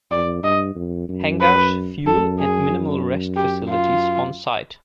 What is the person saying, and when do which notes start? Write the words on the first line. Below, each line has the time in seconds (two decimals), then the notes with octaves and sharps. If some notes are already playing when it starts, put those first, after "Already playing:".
Hangars, fuel, and minimal rest facilities on site.
0.10 F2 D5
0.43 G2 D#5
0.75 F2
1.09 F#2
1.41 B4
2.06 F#2 A4
2.39 G#4
3.36 G4
3.69 F4